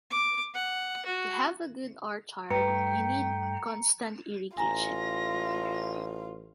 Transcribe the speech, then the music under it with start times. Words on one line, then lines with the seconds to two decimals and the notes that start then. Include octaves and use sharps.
To have a good orchard, you need constant irrigation.
0.11 D6
0.54 F#5
1.06 F#4
2.50 G2 A3 B4 G5 A#5 C#7
4.57 A1 F4 G#5 A#5 A#6